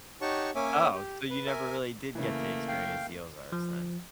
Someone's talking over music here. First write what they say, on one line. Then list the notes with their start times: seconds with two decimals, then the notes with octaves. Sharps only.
Oh, so you never really did get to experience the Ozarks then?
0.21 D#4 G4 C#5 F#5 A5 C#6
0.55 A#3 C#4 C#5 E5 G#5 D6
0.94 G4
1.30 B4
1.47 A#4 E5 G#5
2.15 C#3 E3 A3 A#3
2.68 F5 G5
3.52 F3